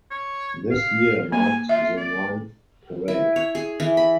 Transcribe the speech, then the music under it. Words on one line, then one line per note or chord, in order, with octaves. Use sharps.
This year marked the ninth parade.
C#5
F5
A#3 G#5
F4 E5
D5
E4
C#5
G#4
E3
B5